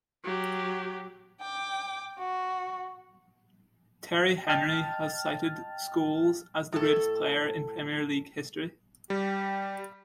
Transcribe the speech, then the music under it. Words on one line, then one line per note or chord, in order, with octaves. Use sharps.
Thierry Henry has cited Scholes as the greatest player in Premier League history.
F#3 G4
G5 D6
F#4
D#5 G5 A5 F6 A6
A2 A4
G3 G4